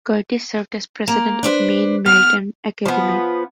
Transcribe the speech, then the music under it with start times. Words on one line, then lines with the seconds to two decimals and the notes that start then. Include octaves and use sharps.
Curtis served as President of Maine Maritime Academy.
1.08 A#3
1.43 D4 B4 C5
2.06 B3 F6
2.86 F3 B3